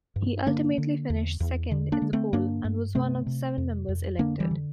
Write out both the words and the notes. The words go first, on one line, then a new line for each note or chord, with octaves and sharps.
He ultimately finished second in the poll and was one of seven members elected.
G2
D3 A#3 D4
D3
E2
E2
D3
A#3 D4
D3
A3 C4
G2 A#3 D4
G2
C3 A3 C4
C3
F2
F2
D3 A#3 D4
E3 G3
D3